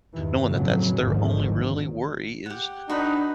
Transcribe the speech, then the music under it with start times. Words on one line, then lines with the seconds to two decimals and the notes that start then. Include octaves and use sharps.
knowing that that's their only really worry is
0.13 E2 G2 D#3 E3
0.43 F2 A2 C#3 E3 F#3
1.00 A#1 E2 G#2 D3 D#3 F3
1.38 G#1
2.46 G4 F#5
2.90 D4 D#4 F#4 B4 B5